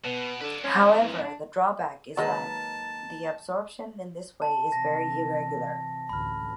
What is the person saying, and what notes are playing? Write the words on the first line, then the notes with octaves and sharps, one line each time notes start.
However, the drawback is that the absorption in this way is very irregular.
B2 B3
D3 B4 D5
F2 G#2 C#4
E3
D4
D#3 F#3 G#3 A#3 B4 A5
A5
C3 E3 A#6
A1 D2 B5 F6